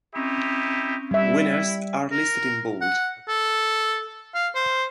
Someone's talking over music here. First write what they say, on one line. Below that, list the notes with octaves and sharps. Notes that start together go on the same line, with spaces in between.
Winners are listed in bold.
C4 C#4 D#4 E4 G4
G3 E4 E5
A#4
F#5
A4
F5
C5